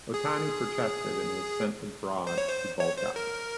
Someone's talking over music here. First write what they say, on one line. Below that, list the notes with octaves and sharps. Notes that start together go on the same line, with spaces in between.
Otani protested and was sent abroad to bulk up.
G#4
C5
C#5
C5
C#5
C5
A#4